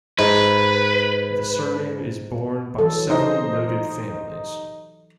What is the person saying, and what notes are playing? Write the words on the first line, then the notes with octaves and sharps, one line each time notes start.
The surname is borne by several noted families.
G#2 B4
E3 F#3 A4
D#4 G4 C5 D#5